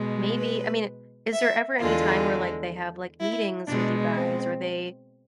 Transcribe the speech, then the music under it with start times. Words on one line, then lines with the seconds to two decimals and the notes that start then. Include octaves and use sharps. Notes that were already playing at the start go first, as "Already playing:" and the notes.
maybe I mean, is there ever any time where, like, they have, like, meetings with you guys or they,
Already playing: B2 G#3
0.37 B4
1.33 E5
1.79 E2 D3 G#3 F4
3.21 E4
3.67 B2 G#3 D4
4.14 C4